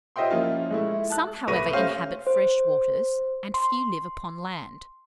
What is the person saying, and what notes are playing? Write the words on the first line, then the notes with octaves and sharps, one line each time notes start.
Some, however, inhabit fresh waters, and a few live upon land.
F4 C5 D#5 E5 G5 C6
F3 A#3 C#4 E4 F4
G#3 A3 E4
A5 F#6
C2 A3 B4 C#6 A#6 D#7
A3 C#4 C5 C#5 F5
C5
C6